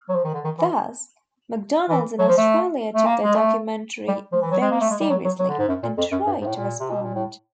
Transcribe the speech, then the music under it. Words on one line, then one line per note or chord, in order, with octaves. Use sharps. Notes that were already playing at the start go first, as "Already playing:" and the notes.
Thus, McDonald's in Australia took that documentary very seriously, and tried to respond.
F#3
F3
D#3
D3
D#3
E3
E3
F#3
F3
A3
A3
A#3
G#3
A3
G3
F3
E3
F#3
G#3
A#3
A3
G#3
G3
F#3
F#3
F#3
D3
G#2
F#2
A#2
F2
F#2
G2
G#2
A2
A#2
C3
B2
A#2
A2